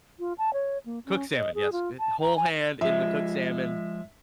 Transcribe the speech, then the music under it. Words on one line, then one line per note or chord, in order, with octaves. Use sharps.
Cooked salmon, yes, eh, whole hand in the cooked salmon,
F4
A5
C#5
A#3
C#4
D#5
G#4
F4
A5
A#5
G#5
F3 G#3 E5